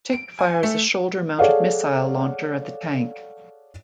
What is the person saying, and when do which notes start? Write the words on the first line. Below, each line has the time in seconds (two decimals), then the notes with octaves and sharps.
Tick fires a shoulder-mounted missile launcher at the tank.
0.13 D7
0.39 G#5
0.63 A3
1.39 G#4 A4 C#5 D5 F5 F#5